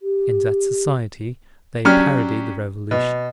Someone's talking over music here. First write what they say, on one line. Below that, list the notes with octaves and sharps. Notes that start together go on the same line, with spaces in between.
In that society, they parodied the Revolution.
G4
F#3 C#4 D4 G4 F6
B2